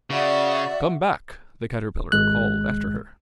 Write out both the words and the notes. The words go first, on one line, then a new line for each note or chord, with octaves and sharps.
'Come back!' the Caterpillar called after her.
C#3 F#4 D5 E5
G#1 G#3 F#6